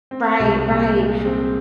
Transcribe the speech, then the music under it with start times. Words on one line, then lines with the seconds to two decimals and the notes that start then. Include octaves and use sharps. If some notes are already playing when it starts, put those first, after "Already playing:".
Right, right,
0.11 C4
0.40 C2
0.68 A#2
0.97 G#3
1.25 C4